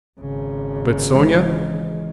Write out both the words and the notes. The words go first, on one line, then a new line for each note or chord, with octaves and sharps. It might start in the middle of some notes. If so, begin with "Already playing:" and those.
But Sonya?
G#1 C#3
E3 G#3